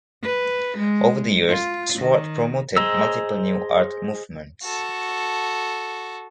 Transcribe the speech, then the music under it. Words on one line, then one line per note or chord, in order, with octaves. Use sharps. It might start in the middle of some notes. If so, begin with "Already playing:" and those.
Over the years Swart promoted multiple new art movements.
B4
G#3
F4
D#3
G#4 C5 D#5 A#5 E6
F#4 A4